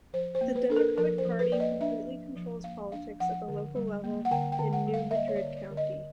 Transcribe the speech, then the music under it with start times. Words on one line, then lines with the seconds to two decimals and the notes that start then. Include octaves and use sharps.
The Democratic Party completely controls politics at the local level in New Madrid County.
0.13 F3 C5
0.35 C5
0.41 A#3
0.56 B4
0.70 D4 A4
0.76 A#4
0.98 F3 A#4
1.18 C5
1.25 F3
1.39 B4
1.52 A#3 D5
1.60 D#5
1.80 D4 E5
2.08 F3
2.36 F3
2.64 A#3 F5
2.92 D4 F5
3.20 F3 F#5
3.48 D3
3.76 G3
4.04 A#3
4.25 F#5
4.31 D3 G5
4.52 G5
4.59 D3
4.73 F#5
4.87 G3
4.94 F5
5.11 E5
5.15 A#3 D#5
5.28 C#5
5.36 D5
5.43 D3
5.57 D5
5.71 D3
5.77 D#5